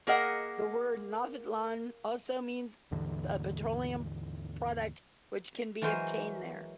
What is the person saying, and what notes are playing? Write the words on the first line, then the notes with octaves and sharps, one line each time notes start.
The word "naftalan" also means a petroleum product which can be obtained there.
A#3 G#4 A#4 D#5 F#5
D#2 G#2 D3 E3
E3 F#3 G#3 A#4 C5 G#5